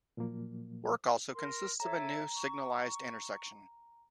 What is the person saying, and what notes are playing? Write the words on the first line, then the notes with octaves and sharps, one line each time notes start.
Work also consists of a new signalized intersection.
A#2 F3 F#3 A#3
A#4 C6
A4 C#5 E5 A#5
C#6